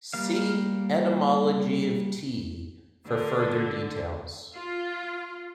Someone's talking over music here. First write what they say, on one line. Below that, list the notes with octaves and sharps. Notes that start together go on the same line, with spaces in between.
See etymology of tea for further details.
G3 A#3 F5
D3
F4